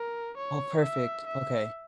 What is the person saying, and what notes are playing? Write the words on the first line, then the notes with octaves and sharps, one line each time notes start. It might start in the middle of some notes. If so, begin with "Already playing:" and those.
Oh, perfect, okay.
Already playing: A#4
C#5
E5
E5